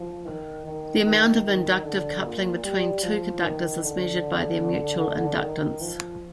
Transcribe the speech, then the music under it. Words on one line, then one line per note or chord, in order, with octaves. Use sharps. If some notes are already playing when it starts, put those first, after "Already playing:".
The amount of inductive coupling between two conductors is measured by their mutual inductance.
Already playing: F3
D#3
D#3
D#3
D#3
D3
A#2
G3
F3
D#3
D3
D#3
F3